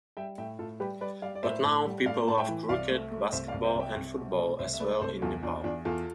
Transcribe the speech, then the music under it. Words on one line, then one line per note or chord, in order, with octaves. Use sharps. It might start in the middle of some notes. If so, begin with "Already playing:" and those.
But now people love cricket, basketball and football as well in Nepal.
G3 E5 G5
A2 E5 G5
A2 F4 A4
G3 G4 B4
G3 B4 D5
G3 D5 F5
D5
A2 C5 E5
A2
G3
A2 D5 F5
A2 A5
E5 G5
E3
C2 D5 F5
A3
A3
C2 C5 E5
D5 F5
C2
C5 E5
C2 E5 G5
C2
B2
A3
C2 C5 E5
E5
A3 B4 D5
C2 A4 C5
E2 F4 A4
E2 D4 F4
E2 D4 F4
E2 F4 A4